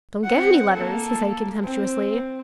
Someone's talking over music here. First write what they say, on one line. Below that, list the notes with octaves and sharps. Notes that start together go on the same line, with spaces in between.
"Don't get any letters," he said contemptuously.
C4 F#5
A#3 A4
C4